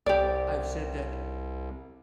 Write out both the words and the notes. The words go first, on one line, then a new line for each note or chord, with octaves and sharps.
I've said that,
C2 G4 D5